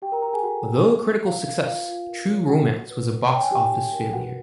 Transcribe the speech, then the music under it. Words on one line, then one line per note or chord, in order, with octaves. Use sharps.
Although a critical success, "True Romance" was a box office failure.
F#4 G4 G5
A#4 A#5
F#4 A#4 A#5
G#4 G#5
F#4 A4 F#5
D5
D5
D4
G4 F5
B4 F5
F4 F5
F4
A#4
C#5
F#4 F#5
F#4
B4
D5
C#5 G5
G#5
D#4 G4 G5
F#4
A#4
F#4 B4 F#5